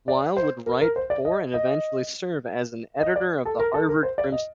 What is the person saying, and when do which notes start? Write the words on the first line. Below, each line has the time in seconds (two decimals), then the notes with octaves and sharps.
Weil would write for and eventually serve as an editor of the Harvard Crimson.
0.08 D5
0.37 C5
0.66 A#4
0.81 A#4
0.96 C5
1.10 D5
1.25 D#5
1.54 D#5
3.01 D#5
3.16 D5
3.45 A4
3.59 A#4
3.74 A4
3.89 A#4
4.03 C5
4.18 D5
4.32 D#5